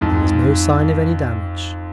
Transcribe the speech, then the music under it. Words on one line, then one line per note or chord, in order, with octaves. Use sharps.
There was no sign of any damage....
F2 G#2